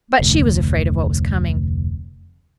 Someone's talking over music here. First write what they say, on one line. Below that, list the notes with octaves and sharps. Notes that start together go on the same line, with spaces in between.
But she was afraid of what was coming.
F1 D2